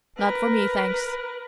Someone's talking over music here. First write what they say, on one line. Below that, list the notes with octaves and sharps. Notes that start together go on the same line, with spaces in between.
Not for me thanks.
A#4 B4